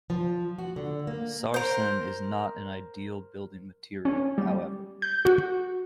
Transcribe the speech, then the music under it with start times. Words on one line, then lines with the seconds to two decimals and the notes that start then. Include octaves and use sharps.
Sarsen is not an ideal building material, however.
0.10 F3
0.58 F#4
0.76 D3
1.07 A#3
1.54 A#4 C5
4.05 C#4
4.38 G3
5.02 G6
5.25 F#4